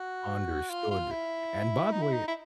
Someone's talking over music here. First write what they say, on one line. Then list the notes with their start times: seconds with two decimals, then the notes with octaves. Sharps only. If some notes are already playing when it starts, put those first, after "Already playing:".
Understood. And by the way, eh, uh
Already playing: F#4
0.70 F4
0.91 F4
1.11 E4
1.92 D#4
2.02 E4
2.12 D#4
2.27 E4